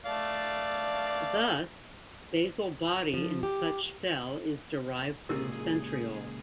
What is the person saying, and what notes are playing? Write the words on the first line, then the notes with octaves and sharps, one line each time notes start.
Thus, basal body in such cell is derived from the centriole.
A3 D5 F5
F3
G4
C#2 A#2 E4 G4 G#4 A#4